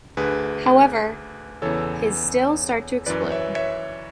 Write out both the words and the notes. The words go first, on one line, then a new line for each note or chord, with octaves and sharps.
However, his stills start to explode.
D2 D3 G#4 B4
E2 C#3 E3 A4 C#5
F#2 E3 B4 D5
C#5 E5
C#5 E5